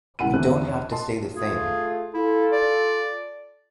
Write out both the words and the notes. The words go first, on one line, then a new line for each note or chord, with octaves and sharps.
We don’t have to stay the same.
C#2 E4 A#4 F#5 B5 D#7
A1 E2 D3 A3 C4 F#6
C#5
D#5 A5 C6
A3 F4 G#4
E4 F4 A4
D5